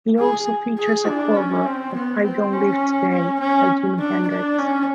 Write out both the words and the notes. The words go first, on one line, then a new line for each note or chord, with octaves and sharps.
It also features a cover of "I Don't Live Today" by Jimi Hendrix.
G#4
G#4
D4
C#4
C4
B3
C4
C#4
C#4
C#4
D4
D4
C#4